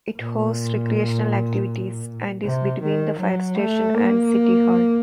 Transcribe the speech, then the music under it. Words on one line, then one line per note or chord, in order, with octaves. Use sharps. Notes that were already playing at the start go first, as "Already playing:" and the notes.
It hosts recreational activities, and is between the fire station and city hall.
A#2
C3
D#3
F#3
A3
A#3